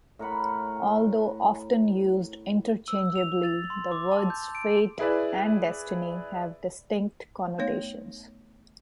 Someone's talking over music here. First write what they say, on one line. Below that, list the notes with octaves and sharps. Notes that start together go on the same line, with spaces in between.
Although often used interchangeably, the words "fate" and "destiny" have distinct connotations.
A2 A#4 F#5 B5
E6
F7
A6
C6
D6
A5
G6
D7
E4 G#4 B4 D5 E5
A3 B3 D#4 C#5 F5